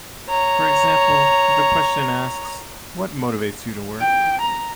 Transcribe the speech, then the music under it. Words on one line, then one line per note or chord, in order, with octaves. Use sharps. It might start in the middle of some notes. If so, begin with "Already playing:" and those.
For example, if a question asks, What motivates you to work?
C#5 A#5
G5
A#5